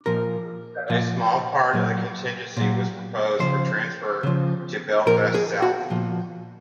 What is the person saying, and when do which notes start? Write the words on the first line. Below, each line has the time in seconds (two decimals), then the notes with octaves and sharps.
A small part of the constituency was proposed for transfer to Belfast South.
0.06 A#2 F3 A#4
0.90 A#2 F3
1.73 A#2 F#3
2.57 A#2 F#3
3.39 C#3 F3 C5
4.23 C#3 F3
5.06 A#2 F3 A#4
5.34 G#4
5.62 F#4
5.90 A#2 F3